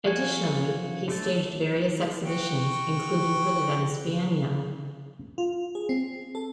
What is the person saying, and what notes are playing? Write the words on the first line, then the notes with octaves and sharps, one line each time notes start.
Additionally, he staged various exhibitions, including for the Venice Biennale.
F3 F#4 G#5
D3 A3 A4
F#4 G5 C#6
F4
G#4
C4
A4